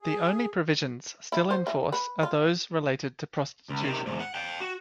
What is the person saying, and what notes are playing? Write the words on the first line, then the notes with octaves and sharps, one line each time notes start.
The only provisions still in force are those related to prostitution.
G#4
E4
C5
E3
B4
F4
C#2
C3 D#3
E2 G#2
F#5
F5 G5
F#4